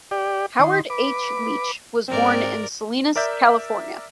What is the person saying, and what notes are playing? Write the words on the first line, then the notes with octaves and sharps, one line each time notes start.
Howard H. Leach was born in Salinas, California.
G4 D5
D#3 C6
B4 D6
G#2 C4 A#4 D5
A#4 D5 E5 G6